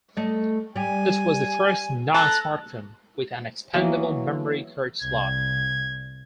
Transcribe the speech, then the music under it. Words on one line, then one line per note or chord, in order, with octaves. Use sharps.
It was the first non-smartphone with an expandable memory card slot.
A3 D#5
G3 G4 G#5
A4 A5 A#5 F#6
E3 F#3 A#3 B3
C2 G#6